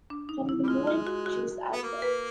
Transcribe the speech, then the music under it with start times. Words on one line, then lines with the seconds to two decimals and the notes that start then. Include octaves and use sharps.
From the "Moving Pictures" album.
0.10 D4
0.29 D#4
0.49 E4
0.63 G3
0.67 G#3 F4
0.87 F4
1.07 F#4
1.26 F#4
1.72 B3
1.83 A#3
2.02 B4